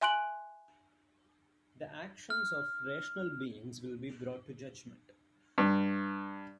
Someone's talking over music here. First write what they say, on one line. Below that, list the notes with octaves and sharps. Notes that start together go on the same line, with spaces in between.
The actions of rational beings will be brought to judgment.
E5 G#5 C6 F#6 D7 F#7
F6
G2